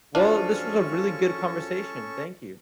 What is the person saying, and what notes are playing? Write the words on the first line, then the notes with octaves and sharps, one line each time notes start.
Well, this was a really good conversation. Thank you.
F#2 F3 C#4 D4 F4 A4 C#6